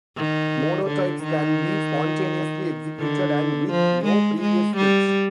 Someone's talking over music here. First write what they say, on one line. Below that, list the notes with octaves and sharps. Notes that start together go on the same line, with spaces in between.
Monotypes can be spontaneously executed and with no previous sketch.
D#3
D3
D#3
D3
F3
G#3
G#3
G3